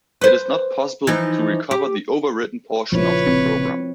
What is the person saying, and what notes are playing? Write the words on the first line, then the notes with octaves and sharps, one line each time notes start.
It is not possible to recover the overwritten portion of the program.
B4 C5
E3 F3 D#4
G4
A#1 C#3 F3 E4 B4 C#5
F1 C4